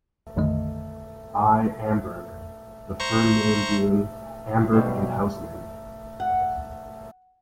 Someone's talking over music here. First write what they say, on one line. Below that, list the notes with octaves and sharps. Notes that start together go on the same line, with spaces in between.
I. Amberg, the firm name being "Amberg and Houseman".
A#1 F2 D3 D#3 A3 D#5
C5 A#5 C#6
B1 B2 G3 C5
F#5